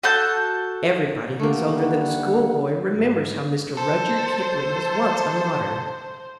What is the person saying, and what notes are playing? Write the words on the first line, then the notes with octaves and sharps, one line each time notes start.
Everybody who is older than a schoolboy remembers how Mr. Rudyard Kipling was once a modern.
F#4 A4 A5 G6
D3 G3 A3 A#3 F#5
G#2
A4 C5